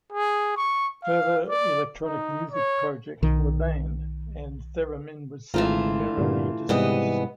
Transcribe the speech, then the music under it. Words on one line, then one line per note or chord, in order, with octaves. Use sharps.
Further electronic music projects were banned, and Theremin was summarily dismissed.
G#4
C#6
F5
D5
D#4
C#5
B1 D#3
G#1 G#2 E3 A3 F4 A#5
G2 A#2 D3
G#2 C3 E3 G3 B3 D#5